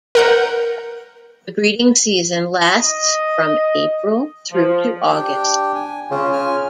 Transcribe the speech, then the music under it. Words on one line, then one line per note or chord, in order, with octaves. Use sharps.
The breeding season lasts from April through to August.
A#4 F#5 G6
D#5
F3
D4 G4 G5
G#5
C#3 C#4 F4
F4 G#5 F6